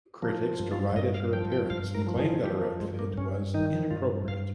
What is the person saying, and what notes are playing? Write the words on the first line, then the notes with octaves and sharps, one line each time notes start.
Critics derided her appearance and claimed that her outfit was inappropriate.
F3 A#3
G2
F4
G2 D#5
F5
F3 G5
G5
G2 F5
A#4
F3
G#4
F3 G4
A#3
G2 G#3
A#3
G2 C#4
D#3 D#4
G2 F4
G2 F5